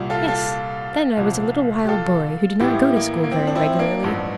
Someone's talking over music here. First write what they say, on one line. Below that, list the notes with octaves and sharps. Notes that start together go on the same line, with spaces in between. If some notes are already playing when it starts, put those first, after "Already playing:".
Yes, then I was a little wild boy, who did not go to school very regularly.
Already playing: C2 A#2 G3
F4 A4
F4 A4
C2 A#2 F3
G4
F4 A4
A1 A2 E3 E4 G4
A#3
A#3
C4
D4
C4 E4
A#3 D4
A1 G2 F3